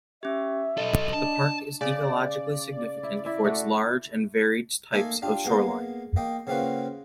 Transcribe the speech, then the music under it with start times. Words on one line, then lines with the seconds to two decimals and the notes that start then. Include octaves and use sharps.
The park is ecologically significant for its large and varied types of shoreline.
0.23 C#4 G4 E5
0.77 B1 A4 D#5
1.13 D4 A5
1.81 C#3 D5
3.03 E4
3.25 E4 E5
3.44 A3 F#4
4.92 A3 A#3 D#4 A4 G#5
5.22 D4 F4 G4
5.45 G#3 A#3 B3
6.16 A#3 D#5 G5
6.47 C#3 A#3 C4 F4 F#4 B4